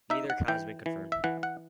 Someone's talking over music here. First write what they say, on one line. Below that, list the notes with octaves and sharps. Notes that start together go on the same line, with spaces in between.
Neither account has been confirmed.
D#4 E5
F#5
E3 G5
E3
E5
E3 F#5
F#5